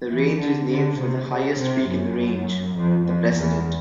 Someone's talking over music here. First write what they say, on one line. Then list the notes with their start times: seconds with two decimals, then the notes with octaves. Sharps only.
The range is named for the highest peak in the range, The President.
0.10 E3
0.40 D3
0.69 D3
0.99 C3
1.28 C#3
1.58 C3
1.88 F#2
2.76 F2
3.05 F2
3.35 E2